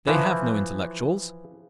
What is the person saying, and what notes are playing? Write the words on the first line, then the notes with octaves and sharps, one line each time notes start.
They have no intellectuals....
E3 F3